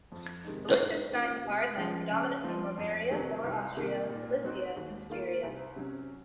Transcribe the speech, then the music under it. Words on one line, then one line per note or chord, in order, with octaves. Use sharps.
The Liechtensteins acquired land, predominantly in Moravia, Lower Austria, Silesia, and Styria.
F2
C3 D#3 G#3 D#4
G#2
D#3 A#3 C#4 F4
C3
F3 G#3 C#4
C#3
F3 C4 F4
F2
C3 D#3 F#3
C2
C3 D#3 A#3
A#2
F#3 C4 D#4 F#4
D#2
D#3 A#3 F4
C2
C3 F#3 C#4